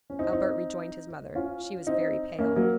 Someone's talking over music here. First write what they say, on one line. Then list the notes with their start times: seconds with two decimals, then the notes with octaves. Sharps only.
Albert rejoined his mother; she was very pale.
0.10 C#4
0.19 C4 D#4
0.32 C4 D#4
1.35 C#4 F4
1.87 C4 D#4
2.39 A#3 C#4
2.56 F#3 A#3